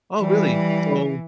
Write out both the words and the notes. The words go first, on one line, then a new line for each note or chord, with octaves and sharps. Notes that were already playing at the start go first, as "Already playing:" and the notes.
Oh, really? So
E3 G3